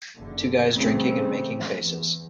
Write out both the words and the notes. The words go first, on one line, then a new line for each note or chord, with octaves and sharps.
Two guys drinking and making faces.
F#1 D3
C#3 E3 G3 A3 C4
E2